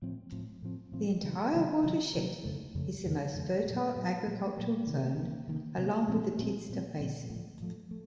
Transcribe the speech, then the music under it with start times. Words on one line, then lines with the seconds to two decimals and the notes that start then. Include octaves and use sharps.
The entire watershed is the most fertile agricultural zone along with the Teesta Basin.
0.02 A2 F3 C4
0.32 A2 F3 C4
0.62 A2 F3 C4
0.92 A2 F3 C4
1.23 C3 D#3 F#3
1.53 C3 D#3 F#3
1.84 C3 D#3 F#3
2.14 C3 D#3 F#3
2.44 F2 C#3 A3
2.75 F2 C#3 A3
3.05 F2 C#3 A3
3.35 F2 C#3 A3
3.65 A#2 F#3 A#3
3.96 A#2 F#3 A#3
4.27 A#2 F#3 A#3
4.57 A#2 F#3 A#3
4.87 C3 D#3 A#3
5.17 C3 D#3 A#3
5.48 C3 D#3 A#3
5.78 C3 D#3 A#3
6.08 A#2 F3 C4
6.39 A#2 F3 C4
6.70 A#2 F3 C4
6.99 A#2 F3 C4
7.30 A2 F3 A3
7.60 A2 F3 A3
7.91 A3